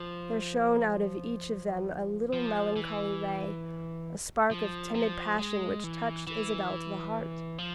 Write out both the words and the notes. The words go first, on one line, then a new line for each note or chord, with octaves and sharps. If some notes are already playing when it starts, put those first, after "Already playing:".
There shone out of each of them a little melancholy ray--a spark of timid passion which touched Isabel to the heart.
Already playing: F3
F3
E3
F3
F3
G#3
E3
E3
F3